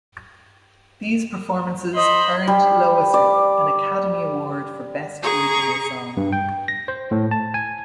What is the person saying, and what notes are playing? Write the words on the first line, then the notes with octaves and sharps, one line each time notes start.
These performances earned Loesser an Academy Award for Best Original Song.
C5 D#5 B5
G3
D5
G#4 A#5 C#6
G2
G5
A#6
C5
A2
A5
G#5